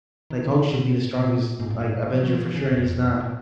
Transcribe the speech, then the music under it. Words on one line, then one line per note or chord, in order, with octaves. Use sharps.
like, Hulk should be the strongest, m like, Avenger for sure, and he's not.
D#3
D#3
B2
A#2
G#2
A#2
G#2
A#2
B2
F3
F#3
F3
D#3
C#3
B2
F#2
F2
F#2
A#2